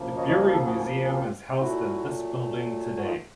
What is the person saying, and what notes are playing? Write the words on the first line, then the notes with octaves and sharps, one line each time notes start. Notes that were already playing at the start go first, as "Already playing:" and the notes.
The brewery museum is housed in this building today.
Already playing: D2 C#3 F3 A#3
C#5 D#5
C#5 D#5
C#5 D#5
G4 A4
F#4 G#4
G#4
F4 G4
G4
A#2 F#3 A3 E4 F#4
F#4
D#4 F4